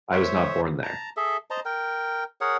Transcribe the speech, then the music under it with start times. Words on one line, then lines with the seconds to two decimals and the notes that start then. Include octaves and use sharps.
I was not born there...
0.12 C5 C#5 E5
0.84 A5 A#5
1.17 G#4 A4 E5
1.50 C5 D#5 A5 A#5
1.65 A#4 G5
2.41 G#4 A#4 C#5 F#5